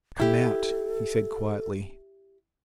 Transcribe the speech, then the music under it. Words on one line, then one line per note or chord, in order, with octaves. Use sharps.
"Come out," he said quietly.
E4 G4 A4